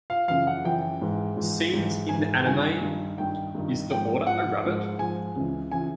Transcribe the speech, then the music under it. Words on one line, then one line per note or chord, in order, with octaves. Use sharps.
Scenes in the anime Is the Order a Rabbit?
F5
F#2 C#3 E3 F5
F#5
F#2 C#3 E3 G5
G#2 E3
G#2 E3
G#2 E3
G#2 E3 G#5
G2 D#3 G#5
G2 D#3
G2 D#3 G5
G2 D#3
G#2 F3 G5
G#2 F3 F#5
G#2 F3
G#2 F3 G#5
C#2 C#3 E3
C#3 E3 G#5